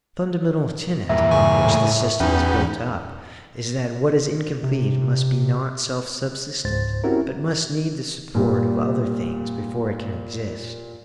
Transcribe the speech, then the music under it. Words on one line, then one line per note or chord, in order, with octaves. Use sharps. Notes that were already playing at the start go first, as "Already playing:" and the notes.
The fundamental tenet upon which the system is built up is that what is incomplete must be not self-subsistent, but must need the support of other things before it can exist.
E2 G2 A#2 E5
C#3 G#5 C#6
A2
E2 B3 C#4 D#4 F#4 G5
C3
C#2 G#2 C5 A6
C4 C#4 E4 F#4 G4 A#4
A#2 G3